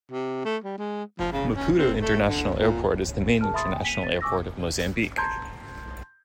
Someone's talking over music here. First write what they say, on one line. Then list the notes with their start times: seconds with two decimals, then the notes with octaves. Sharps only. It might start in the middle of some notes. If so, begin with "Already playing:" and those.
Maputo International Airport is the main international airport of Mozambique.
0.11 C3
0.45 A3
0.64 G3
0.78 G#3
1.19 F3
1.32 C#3
1.55 C#4
1.77 C4
1.99 A3
2.28 D3
2.58 A#2
3.41 G#4 A#4 A5 F6
3.54 E5 B5 C6 D#6 A6
3.72 G5 G#5
3.85 B6 C#7 D#7 F7
4.03 A6
4.21 G#5 C#6 D6 E6 A#6
5.17 A5 A#5 C6 G6 G#6